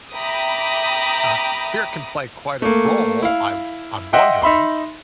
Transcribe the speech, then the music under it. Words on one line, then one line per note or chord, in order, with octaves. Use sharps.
uh, fear can play quite a role, I I'm wondering.
E5 G5 A#5 B5 D6 D#6
A3 A#3
E4 F5
D#5 E5 F#5 G5 C6
D#4 E5 B5 C6